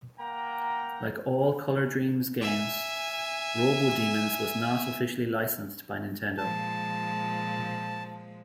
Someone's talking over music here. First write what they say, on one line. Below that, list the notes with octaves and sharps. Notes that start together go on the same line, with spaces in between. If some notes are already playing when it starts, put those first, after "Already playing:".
Like all Color Dreams games, Robodemons was not officially licensed by Nintendo.
A#3 F#5 G5 A#5
E5 G#5
A#2 F3 G#3 A5